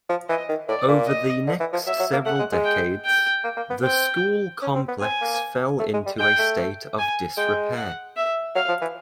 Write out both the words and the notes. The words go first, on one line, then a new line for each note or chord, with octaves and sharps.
Over the next several decades, the school complex fell into a state of disrepair.
F3
E3 D#5
D#3
A2 D5
A#2
D#5
D3
E3
F3
F#3 E5
F#3
A#3
A3 F#5
G#3
G#3
G5
G5
A#3
A#3
B3
C4 G5
C#4
C4
B3
C4 G#5
A#3
A3
G#3
G3
G#3 G5
A3
G#5
G#3 G5
F#5
E5
F#3 F5
F3
E3